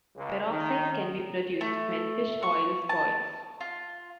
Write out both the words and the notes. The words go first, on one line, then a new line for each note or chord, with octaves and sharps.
Peroxides can be produced when fish oil spoils.
C#2
D#3
A3
C#6
A5
F4